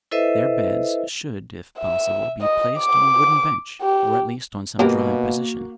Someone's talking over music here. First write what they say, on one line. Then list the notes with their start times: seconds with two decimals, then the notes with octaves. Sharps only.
Their beds should, if possible, be placed on a wooden bench, or at least on some dry position.
0.11 E4 A4 B4 C5 D#5 E5
1.79 E5
2.41 D#5
2.79 D6
3.81 G4
4.79 B2 A#3 B3 F#4 G4 A#4